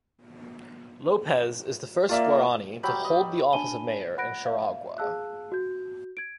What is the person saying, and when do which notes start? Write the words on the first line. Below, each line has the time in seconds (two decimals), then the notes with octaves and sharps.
Lopez is the first Guarani to hold the office of mayor in Charagua.
2.09 A#3 F4 D5 E5
2.83 F#3 G3 G5 B5
3.05 D#5
3.53 D4 G#5 A5 B5 D#7 G7
4.18 F#5 B5 F#6 A#6 D7
4.45 E5 F5
4.98 G#4 F5 A5 E6 F#6
5.52 F#4 G6
6.17 G#6 D7